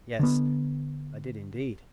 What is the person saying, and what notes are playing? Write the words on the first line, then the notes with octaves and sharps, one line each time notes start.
"Yes." I did indeed.
D3 B3